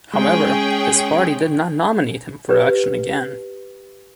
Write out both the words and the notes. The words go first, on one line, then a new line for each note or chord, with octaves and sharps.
However, his party did not nominate him for election again.
G#3 C#4 G#4 G5
G4 B4